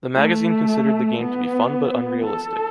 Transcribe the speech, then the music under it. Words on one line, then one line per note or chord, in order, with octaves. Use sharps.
The magazine considered the game to be fun but unrealistic.
A3
B3
A4